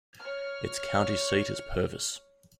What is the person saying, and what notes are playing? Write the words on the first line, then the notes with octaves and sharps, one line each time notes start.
Its county seat is Purvis.
C#5 F6